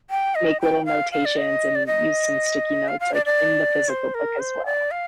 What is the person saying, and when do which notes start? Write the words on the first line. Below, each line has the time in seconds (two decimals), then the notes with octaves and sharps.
make little notations, and use some sticky notes, like, in the physical book, as well.
0.10 G5
0.35 D#5
0.61 G5
0.85 F5
1.12 F5
1.25 D5
1.37 D#5
1.75 D5
1.86 D#5
2.88 F5
3.00 F5
3.14 D5
3.25 D5
3.89 C5
4.14 A#4
4.39 C5
4.66 D5
4.91 F5